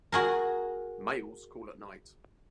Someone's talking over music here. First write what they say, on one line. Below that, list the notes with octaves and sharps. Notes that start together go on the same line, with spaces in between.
Males call at night.
F#4 G#4 A#4